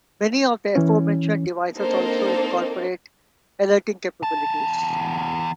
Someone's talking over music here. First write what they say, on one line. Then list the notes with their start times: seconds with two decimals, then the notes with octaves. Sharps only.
Many of the aforementioned devices also incorporate alerting capabilities.
0.75 E3 C#4
1.77 A#3 C4 D4 D#4 A4 C5
4.23 E2 A5